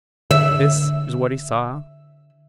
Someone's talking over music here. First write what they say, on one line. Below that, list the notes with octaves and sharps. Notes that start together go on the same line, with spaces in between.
This is what he saw.
D3 E5